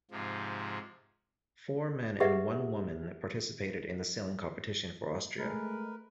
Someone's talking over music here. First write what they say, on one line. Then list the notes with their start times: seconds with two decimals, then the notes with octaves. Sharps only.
Four men and one woman participated in the sailing competition for Austria.
0.11 G#2 C3 F3
2.20 G4 G#4 B4 D#5 E5 F#5
5.38 G#3 A3 A#4 B4